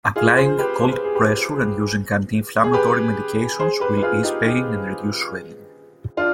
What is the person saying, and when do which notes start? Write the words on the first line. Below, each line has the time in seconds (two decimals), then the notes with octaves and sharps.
Applying cold pressure and using anti-inflammatory medications will ease pain and reduce swelling.
0.16 F4 G#4
0.37 G#4 C5
0.58 G4 B4
0.80 C5
0.92 B4
1.04 G#4
1.15 G4 B4
2.64 G#4
2.73 G4 B4
3.59 G#4 C5
3.80 G4 B4
3.97 B4
4.02 F4 G#4
4.23 D#4 G4
4.46 D#4 G4
6.17 D4 F4